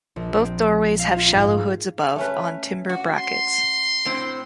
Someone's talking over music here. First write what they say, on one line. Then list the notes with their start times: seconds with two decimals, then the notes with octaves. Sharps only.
Both doorways have shallow hoods above on timber brackets.
0.16 A#1
0.38 C4
1.00 F5
1.16 F4
1.35 G#2
2.16 A3 C#4 B4
2.89 F#4
3.19 C6
4.05 A2 C4